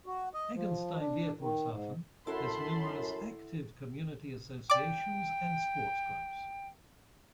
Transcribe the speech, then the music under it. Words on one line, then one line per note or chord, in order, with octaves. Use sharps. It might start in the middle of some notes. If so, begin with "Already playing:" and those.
Eggenstein-Leopoldshafen has numerous active community associations and sports clubs.
F#4
D#5
F3
D4
D#3
G#2
F#2 E4 A4 F#5 A5 B5 C6
D5 G5 D6